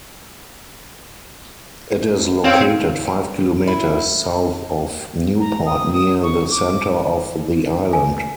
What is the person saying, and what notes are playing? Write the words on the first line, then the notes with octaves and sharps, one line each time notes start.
It is located five kilometres south of Newport near the centre of the island.
C4 C#5 F5 G5
E4
A#5
D#6
D#6
C#6
D6
G#5